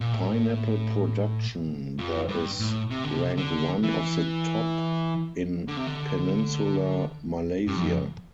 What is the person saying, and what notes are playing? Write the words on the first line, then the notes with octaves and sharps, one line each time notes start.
Pineapple production there is ranked one of the top in Peninsular Malaysia.
A#2
A2
F2
G2
A2
C3
D3
C3
D3
E3
D3
C3
D3
G2
F2